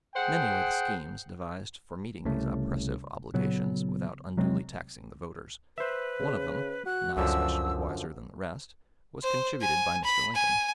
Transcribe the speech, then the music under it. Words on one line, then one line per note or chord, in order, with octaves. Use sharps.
Many were the schemes devised for meeting these oppressive obligations without unduly taxing the voters; one of them, not especially wiser than the rest, was contributed by Mr. Lincoln.
G#4 C5 F#5 G5
C2 C#3 A3
A#2 C#3 F#3 B3
C3 F#3 G#3 C4
B4 C5 E5
C#3
F#4 F#6
C#2 F#2 D3 F3 E6
C5
G#5
B5
G#5